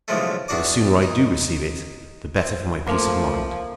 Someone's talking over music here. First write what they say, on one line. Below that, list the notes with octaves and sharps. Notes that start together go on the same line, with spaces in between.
But the sooner I do receive it the better for my peace of mind.
B1 C#3 E3 F3 G#3 A3
E2 D4 F#4 D5 D6
D#4
C4
F3 A3 A#3 C6